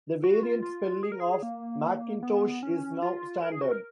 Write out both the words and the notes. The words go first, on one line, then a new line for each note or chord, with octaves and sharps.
The variant spelling of "Mackintosh" is now standard.
F#4
F4
F4
G#4
A#4
G#4
A#3
B3
C#4
F4
A#4
G#4
F#4
A#4